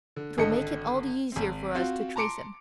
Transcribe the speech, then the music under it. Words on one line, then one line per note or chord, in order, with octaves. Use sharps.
It will make it all the easier for us to trace him.
D3
G#1 D3 A4 D#5 C#7
G#1 C4
C4 F4 F#4
A5 A#5 C6 D6 C#7 D7